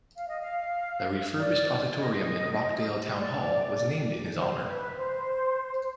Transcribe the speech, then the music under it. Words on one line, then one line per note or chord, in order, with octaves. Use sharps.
The refurbished auditorium in Rockdale Town Hall was named in his honour.
F5
D#5
F5
D5
D#5
D5
C5
B4
C5